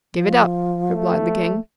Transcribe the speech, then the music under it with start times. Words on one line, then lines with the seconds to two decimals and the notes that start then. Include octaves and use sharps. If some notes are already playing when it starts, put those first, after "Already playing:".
"Give it up," replied the King.
0.14 F3
0.93 A3